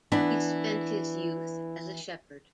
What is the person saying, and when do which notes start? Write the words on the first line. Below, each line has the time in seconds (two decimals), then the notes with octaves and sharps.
He spent his youth as a shepherd.
0.12 E3 B3 D4